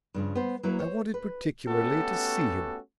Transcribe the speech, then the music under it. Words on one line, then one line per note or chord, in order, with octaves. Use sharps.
I wanted particularly to see him.
G2 C#3 F3
B3 C5
F#3 A#3 E4 B4
C5 C#5
B4
A3 B3 C#4 F#4 G4 A4